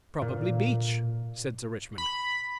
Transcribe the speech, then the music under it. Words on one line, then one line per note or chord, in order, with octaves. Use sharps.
"Probably beech," said Sir Richmond.
A#2
B5